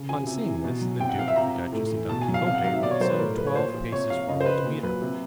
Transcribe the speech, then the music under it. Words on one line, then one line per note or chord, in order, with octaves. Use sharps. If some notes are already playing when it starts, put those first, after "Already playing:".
On seeing this the duke, the duchess, and Don Quixote went some twelve paces forward to meet her.
Already playing: C#3
F3 G#5
C3
E3
B2
F#3
C3 G5
F#5
F3 F5
E5
C3 A#5
F3
A2
E3
B2 A5
G#5
F#3
F5
C3 F5
F#5
D#3 F#3 F5
E5
B2 D5
C#5
F#3 C5
B4
A2 A#4
F3 B4
C#5
A#2 C5
F3
C3 C#5
F3 F5
C#3 D#5
C5
F3 B4
A#2
F#3 B4
C3